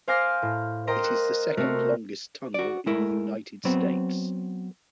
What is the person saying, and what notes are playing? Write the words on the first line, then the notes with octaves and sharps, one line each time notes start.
It is the second-longest tunnel in the United States.
C5 F5 G#5 D6 F6 A#6
A2
A#4 C5 D#5 G5 A#5 C6
F#6
C3 A3 C4 F#4 A#4
F#4 D5
G#3 A3 E4 A#4
F#3 B3 C4